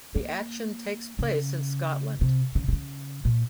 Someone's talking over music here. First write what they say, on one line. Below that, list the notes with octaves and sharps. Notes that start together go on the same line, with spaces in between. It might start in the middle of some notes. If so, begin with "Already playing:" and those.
The action takes place in Scotland.
A#3
C#3
C3
C#3
C3
C#3
A#2